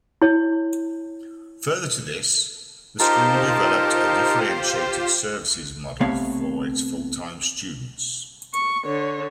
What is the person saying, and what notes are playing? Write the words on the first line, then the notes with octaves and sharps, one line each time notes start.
Further to this, the school developed a Differentiated Services Model for its full-time students.
E4 C#5
D#4 F4 G4 A#4 C5 A5
C3 A3 B3 B4 C#5 F5
C#6
D3 C#5